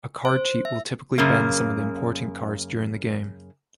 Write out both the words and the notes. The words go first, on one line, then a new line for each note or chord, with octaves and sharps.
A card cheat will typically bend some of the important cards during the game.
C5
E5
F#2 C#3 A#3